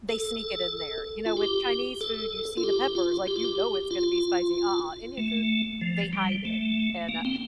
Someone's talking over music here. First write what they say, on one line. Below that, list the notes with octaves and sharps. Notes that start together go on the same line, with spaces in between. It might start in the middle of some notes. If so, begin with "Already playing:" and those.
they sneak it in there. You know, with Chinese food, you see the peppers, like, you know it's gonna be spicy. Uh-uh, Indian food; they hide it and, uh
A4
F4
G4
A4
F4
G4
F4
G4
F4
G4
F4
A3
F3
G3
A3
A#3
C4